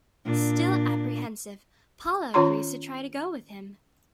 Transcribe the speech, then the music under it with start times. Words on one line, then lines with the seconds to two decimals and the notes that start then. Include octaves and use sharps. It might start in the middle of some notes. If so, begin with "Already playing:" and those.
Still apprehensive, Paula agrees to try to go with him.
0.25 A#2 D4
2.34 D#3 C#4 F4 C#5 A#5 C6